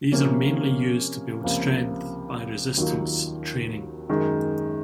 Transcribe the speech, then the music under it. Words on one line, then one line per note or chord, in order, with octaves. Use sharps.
These are mainly used to build strength by resistance training.
C3 F3 A#3 C#4
C#2 C3 F3 A#3
D#2 D#3 F#3 A#3 F4
F#2 D#3 G#3